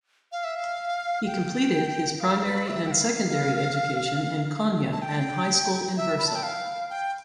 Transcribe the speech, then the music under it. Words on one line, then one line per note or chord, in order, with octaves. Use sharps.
He completed his primary and secondary education in Konya and high school in Bursa.
F5
E5
F5
G5
F5
B4
E5
G5
F5
A5
G5
E5
B5
A5
G5
F5
G5